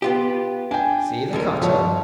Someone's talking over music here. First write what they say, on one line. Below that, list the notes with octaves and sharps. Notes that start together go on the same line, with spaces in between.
"See the cutter?"
B3 F4 G4
D4 G5 G#5
D#2 D3 A#4
G2 F3 C#5